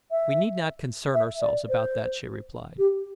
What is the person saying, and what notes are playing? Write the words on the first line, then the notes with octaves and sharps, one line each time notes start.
"We need not concern ourselves about that," she replied.
E5
E5
D5
C5
G4